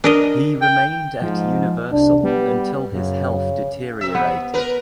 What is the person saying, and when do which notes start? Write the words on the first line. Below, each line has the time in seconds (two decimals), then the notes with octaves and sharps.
He remained at Universal until his health deteriorated.
0.04 D4 A#4 D#5
0.62 G5
1.22 G#2 F3
1.92 C2 D4
2.23 G3 B3
2.92 F#2 C#3
4.01 C3 E5
4.15 B3
4.54 A#4 B4